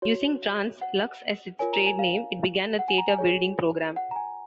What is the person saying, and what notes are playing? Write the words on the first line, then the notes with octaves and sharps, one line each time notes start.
Using Trans-Lux as its trade name, it began a theater-building program.
F#4 C#5
F#5
F4 A#4 C#5 G#5
A#5
G#5
F5
F#5
G#5
A#5
G#5
F4 G#4 C#5
F#5
A#5
G#5